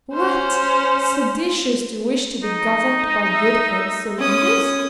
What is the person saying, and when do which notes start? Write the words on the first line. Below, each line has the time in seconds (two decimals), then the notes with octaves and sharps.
"What! seditious to wish to be governed by good heads or leaders?"
0.14 C#4 C5
2.43 D#4
3.31 E5
4.18 C#4 D#6